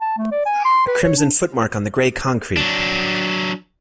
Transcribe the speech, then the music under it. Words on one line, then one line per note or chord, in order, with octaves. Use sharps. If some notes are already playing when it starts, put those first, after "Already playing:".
A crimson footmark on the grey concrete!
A5
A3
D5
G#5
C6
B4
C#5
D4
F#3 D4